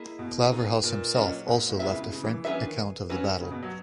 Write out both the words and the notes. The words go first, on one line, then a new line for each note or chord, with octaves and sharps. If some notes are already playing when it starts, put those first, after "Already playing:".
Claverhouse himself also left a frank account of the battle.
Already playing: A#3 E4 G#4 D#5
B2
D#4 G#4 B4
A#2
F#3 C#4 E4 B4 D#5
G#2
A#2
G#2
A#2 G#3 B3 E4 B4 E5
C#3
B2
C#3
E3
E3
F#3 C#4 G#4 B4 E5
E3
D#3
C#4 F#4 B4
C#3
B2
F#3